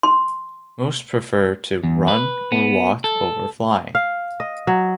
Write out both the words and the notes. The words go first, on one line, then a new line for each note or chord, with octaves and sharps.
Most prefer to run or walk over flying.
C6
E2
B4
B3
A4
F5
D#5
F#3